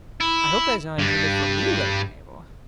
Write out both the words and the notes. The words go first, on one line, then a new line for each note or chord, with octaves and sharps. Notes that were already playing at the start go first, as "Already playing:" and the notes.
"I hope that is not intended for me, Lady Mabel."
E4
G2 G3